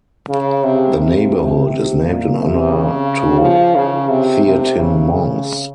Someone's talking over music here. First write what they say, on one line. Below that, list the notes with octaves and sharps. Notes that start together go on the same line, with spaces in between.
The neighborhood is named in honor to Theatin monks.
C#3
C3
C3
C3
A#2
C3
C#3
F3
C#3
C3
C3
C#3
C#3